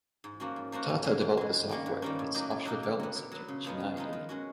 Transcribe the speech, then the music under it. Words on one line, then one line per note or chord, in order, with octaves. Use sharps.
Tata developed the software at its offshore development center in Chennai, India.
G#2
F3 A#3 C#4 F#4
G#2
F3 A#3 C#4 F#4
G#2
E3 G#3
G#2
E3 G#3
G2
D#3 G3 A#3 C#4
G2
D#3 G3 A#3 C#4
A2
F#3 A#3 D#4 G4
A2
F#3 A#3 D#4 G4
D3
F#3 B3
D3
F#3 B3
C#3
F3 G#3 B3 D#4
C#3
F3 G#3 B3 D#4
D#3
G#3 C#4 F#4